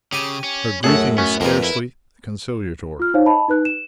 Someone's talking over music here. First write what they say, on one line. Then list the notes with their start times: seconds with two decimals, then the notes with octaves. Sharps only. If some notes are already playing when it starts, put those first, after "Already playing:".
Her greeting was scarcely conciliatory.
0.13 C#3 G4 G#5
0.44 C#4
0.84 F#2 A2 G#4 A4 C#5 F#5
1.18 B3 C#4 F#4
1.41 F2 D3 A#3 A#4 B4
1.64 E4
3.00 F4 F6
3.14 D#4 C5 C#5 F5
3.26 D#5 A5 B5
3.48 D#4 B4 F#6
3.65 E7